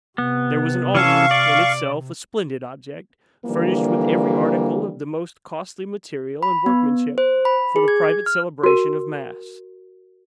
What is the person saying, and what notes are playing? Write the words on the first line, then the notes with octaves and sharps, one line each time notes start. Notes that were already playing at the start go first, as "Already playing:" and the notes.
There was an altar, in itself a splendid object, furnished with every article of the most costly material and workmanship, for the private celebration of mass.
C3 B3
E3 C#4 A4 F5 C#6
D5
D3 E3 F3 G3 A#3
B5
B3
C5
B5
G#4
G#6
F6
F#4 A#4